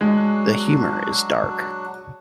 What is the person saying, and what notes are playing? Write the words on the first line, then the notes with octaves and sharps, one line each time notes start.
The humor is dark.
F#3 G#3 D4 F#4